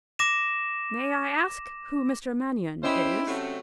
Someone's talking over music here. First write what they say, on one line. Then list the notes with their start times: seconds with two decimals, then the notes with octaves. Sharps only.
"May I ask who Mr. Mannion is?"
0.19 D6 A#6 E7
2.83 C#4 E4 G4 B4 C5 D#5
3.27 C3 F#3 A3